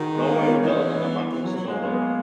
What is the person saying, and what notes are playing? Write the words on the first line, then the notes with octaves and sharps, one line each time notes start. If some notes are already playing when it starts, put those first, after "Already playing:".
Norway rebelled under Magnus the Noble.
Already playing: D#3 F#4 G#4
G#3
A#3
B3
C#4
E3 D#4
C#4
B3
E3
F#3
F#3
F#3 G#3
A#3
B3
G#3
A#3